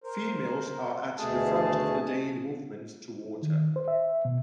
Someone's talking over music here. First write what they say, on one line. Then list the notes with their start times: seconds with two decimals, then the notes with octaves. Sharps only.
Females are at the front of the daily movements to water.
0.04 A#4 C5
1.17 D2 B2 A3 G#4 A5
3.43 D#3
3.76 C5
3.88 E5
4.25 B2